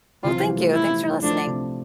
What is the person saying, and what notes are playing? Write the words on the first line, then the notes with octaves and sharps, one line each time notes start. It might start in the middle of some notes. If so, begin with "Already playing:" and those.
Well, thank you. Thanks for listening.
C3 E3 F4
F3
E3 G3
F3 A3
E4
F3 A3 D4
C3